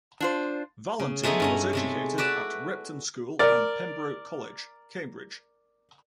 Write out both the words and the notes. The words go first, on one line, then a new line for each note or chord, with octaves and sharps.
Valentine was educated at Repton School and Pembroke College, Cambridge.
D4 F4 C5
C#3
G#3 A3 B3 D#4 E4
G2 C#4 A#5
C3 G#3 A3
F#4 B4 D5 E5 A5
A#4 D5